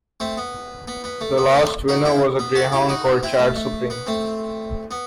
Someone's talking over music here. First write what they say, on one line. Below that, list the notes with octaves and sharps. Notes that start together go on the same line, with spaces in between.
The last winner was a greyhound called Chad Supreme.
A3 C4
B3
B3
B3
A3
B3
A3 C4
D#4 F#4
C4 E4
B3
F#4 A4
E4 G4
D#4 F#4
C4 E4
A3
A3
B3
A3 C4
B3